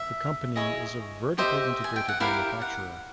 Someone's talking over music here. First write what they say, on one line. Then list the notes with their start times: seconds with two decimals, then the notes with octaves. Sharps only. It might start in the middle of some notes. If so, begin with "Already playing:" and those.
The company is a vertically integrated manufacturer.
Already playing: E5
0.56 E4 G#4 C#5 D#5
1.38 G4 C5 D#5 E5
1.84 G#5
1.96 G5
2.08 F#5
2.20 E4 G4 A#4 F5
2.61 F#5